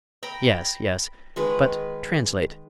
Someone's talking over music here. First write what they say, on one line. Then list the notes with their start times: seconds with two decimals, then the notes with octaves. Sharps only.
"Yes, yes--but translate."
0.23 G5 A#5 B5
1.36 D#3 G#3 B4